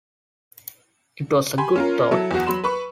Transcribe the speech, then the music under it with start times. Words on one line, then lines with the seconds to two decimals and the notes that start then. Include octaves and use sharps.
It was a good thought.
1.58 G4 G#5 B5 C6
1.76 C#4 F4 A#4
2.11 F#3 E4 A4
2.31 E2 F#4
2.47 F#3 B5 C6 E7
2.64 B4 B5 C#6